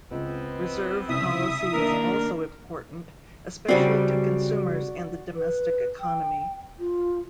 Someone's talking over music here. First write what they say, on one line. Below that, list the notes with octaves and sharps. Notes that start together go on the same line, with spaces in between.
Reserve policy is also important, especially to consumers and the domestic economy.
C#2 B3 C4
C2 C#3 E4 E5 D#6
D#3 A#3 D4 A#4
C#3 G3 C4 F#4 D5
B4
G5
F4